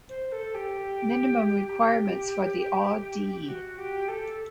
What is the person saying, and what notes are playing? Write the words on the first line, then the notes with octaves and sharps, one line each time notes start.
Minimum requirements for the Au.D.
C5
A4
G4
G4
F#4
G4
A4